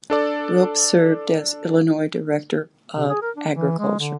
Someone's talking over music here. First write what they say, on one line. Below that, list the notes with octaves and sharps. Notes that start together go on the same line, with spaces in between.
Ropp served as Illinois Director of Agriculture.
D4 A4 D5
C3
G#4
A#4
D4
E3
G#3
D3